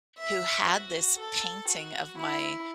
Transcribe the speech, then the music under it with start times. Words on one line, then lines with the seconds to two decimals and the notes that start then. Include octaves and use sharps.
who had this painting of my
0.19 E5
0.69 F#4
1.19 A4
1.69 F#4
2.19 E4